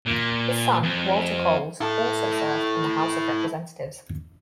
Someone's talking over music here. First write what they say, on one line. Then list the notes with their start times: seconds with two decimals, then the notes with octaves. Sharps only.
His son, Walter Coles, also served in the House of Representatives.
0.06 A#2
0.83 F2
1.81 E4 A4